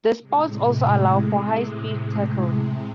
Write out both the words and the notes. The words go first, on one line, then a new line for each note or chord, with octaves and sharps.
The spouts also allow for high-speed tackles.
A2 C3 G#3